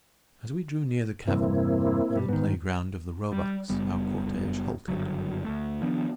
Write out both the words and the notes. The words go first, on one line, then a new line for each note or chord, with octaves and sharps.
As we drew near the cavern, on the playground of the roebucks, our cortege halted.
E2 G2 C3 A#3 C4 E4
G2 G3
G#2 D#3 B3
G3
F#1 G3 B3
F#1 G2 D3 F#3
D2 A3
D#3 F3 B3 D4